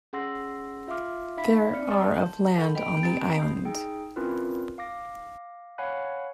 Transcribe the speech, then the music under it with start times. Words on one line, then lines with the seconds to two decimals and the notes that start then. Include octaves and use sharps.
There are of land on the island.
0.13 C#4 G#4 F#5 C6 E6 A#6
0.87 F4 E5 F5 C6 D6 F6
1.37 D#4 E5 F5 B5 B6
1.71 C4 D5 F6 C#7
1.90 D5 A5 C#6 D#6 F6 A6
2.17 A5 C6 G6
2.57 A4 F#5 B5 C6 G6
2.75 D#5 G5 B5 F7
3.03 C4 G4 A#5
3.37 D#6 G6 C7
3.65 D#4 G#4 G5
4.16 C4 C#4 E4 F4 A#4 B4
4.78 F5 D6 A#6
5.78 C#5 F5 F#5 G#5 B5 F#6